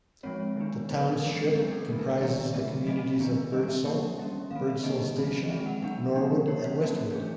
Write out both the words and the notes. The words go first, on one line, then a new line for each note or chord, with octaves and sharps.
The township comprises the communities of Birdsall, Birdsall Station, Norwood and Westwood.
F3 G#3 C4 C#5
D#3 F#3 B3 D4
F#3 B3 D4 C5
B4
A#4
A4
E3 G#3 C4
D3 F#3 B3 D4 G#4
A4
F3 A3 C4 A#4
B4
C#5
D#3 G3 B3 D4 D5
D3 F#3 A3 E5
F#3 A3 C4 D#5
D#3 F#3 B3 D4
D#3 G3 B3 D4 D#5
E5
G3 A#3 D4
G3 A#3 C#4
D#3 G3 C4 F5
E5
E5
D3 F#3 A#3 D4 D#5
D#5
D#3 F#3 A3 C4
D#5
D#3 G#3 C4 E5
F#5
F#3 B3 D4 F#5
F3 A#3 D4
D3 F3 A#3 C#5
C5
F#3 A#3 C#4 A#4
E3 A3 D4 G#4